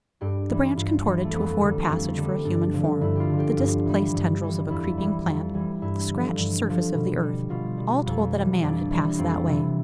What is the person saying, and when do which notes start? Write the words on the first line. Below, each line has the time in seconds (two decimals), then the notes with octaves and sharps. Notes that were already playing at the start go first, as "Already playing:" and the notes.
The branch contorted to afford passage for a human form--the displaced tendrils of a creeping plant-- the scratched surface of the earth--all told that a man had passed that way.
0.21 G2 G4
0.50 E3 G3
0.77 G2 F4
1.05 E3 G3
1.24 A3
1.33 F2 B3
1.61 D3 G3
1.89 F2 C4
2.17 D3 G3
2.45 G2 D4
2.73 D3 F3
3.01 G2 E4
3.16 F4 G4
3.30 D3 F3
3.39 G4
3.57 G2 F4
3.86 E3 G3
4.14 G2
4.42 E3 G3
4.70 F2 E4
4.97 E3 G3
5.25 F2
5.54 E3 G3
5.82 G2 E4
6.10 D3 F3
6.38 G2
6.66 D3 F3
6.94 B2
7.22 G3
7.50 B2 F4
7.77 G3
8.06 F2
8.35 E3 G3
8.62 F2 D4
8.90 E3 G3
9.18 F2 C4
9.46 C3 E3